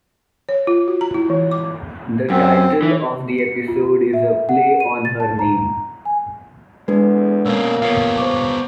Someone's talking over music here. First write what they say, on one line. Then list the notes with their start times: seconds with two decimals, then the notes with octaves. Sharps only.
The title of the episode is a play on her name.
0.49 C#5
0.67 F4
0.88 F#4
1.01 A#5
1.14 E4
1.30 E3
1.51 D6
2.30 F#2 C4
2.82 E3
3.38 C#7
3.68 F4
4.13 E5
4.49 F#5
4.80 D#7
5.05 A6
5.20 A5
5.39 A#5
6.05 G#5
6.88 E2 G#3 D4 A4 B4
7.46 B2 A#3 C#4 E6
7.82 B3 F4 C#5 F5
8.18 C5 C#6 D6